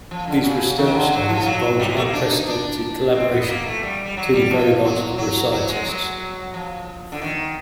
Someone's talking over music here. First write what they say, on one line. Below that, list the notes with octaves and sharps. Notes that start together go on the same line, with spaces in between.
These research studies involved an unprecedented collaboration between a very large number of scientists.
F3
D3
C#3
D#3
D3
F#3
F3
F#3
G3
G#3
A3
A#3
D4
D#4
D4
C4
B3
A#3
A3
G3
G3
F#3
G3
F3
F#3
F#3
F#3
G#3
F#3
F3
D3
D#3